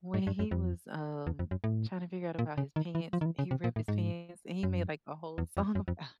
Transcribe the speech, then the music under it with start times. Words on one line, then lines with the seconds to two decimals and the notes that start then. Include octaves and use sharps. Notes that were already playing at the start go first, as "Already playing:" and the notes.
when he was, um, trying to figure out about his pants he ripped his pants, and he made, like, a whole song about
0.14 G#2
0.27 G2
0.39 F#2
0.51 F2
1.27 E2
1.39 F2
1.51 F#2
1.64 A2
2.39 A#2
2.58 C#3
2.76 D#3
2.95 E3
3.13 F3
3.21 D#3
3.26 E3
3.39 C#3
3.51 C3
3.64 A#2
3.76 A2
3.88 G#2
4.63 F#2
5.38 E2
5.57 F2
5.75 F#2
5.88 F2